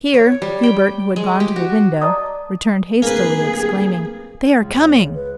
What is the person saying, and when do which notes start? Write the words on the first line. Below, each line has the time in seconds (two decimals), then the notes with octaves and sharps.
Here Hubert, who had gone to the window, returned hastily, exclaiming, "They are coming!"
0.14 C#5
0.42 G3
0.63 G5
1.16 G#3
1.40 G4
1.56 F#4
2.01 D5 D#5 A5 A#5 D6 D#6
3.02 D1 A#3 G#4 B4
4.62 C#2
5.15 B4